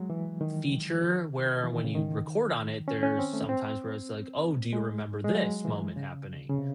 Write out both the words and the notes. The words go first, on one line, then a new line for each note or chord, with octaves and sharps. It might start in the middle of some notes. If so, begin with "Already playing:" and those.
feature where, when you record on it, there's sometimes, where it's like, "Oh, do you remember this moment happening?"
Already playing: F#3 G#3
E3
D#3
E3
D#3
C#3
D#3
C#4
C#4
C4
A3
C4
G#3
G#3
F#3
E3
C#3
C#3
C3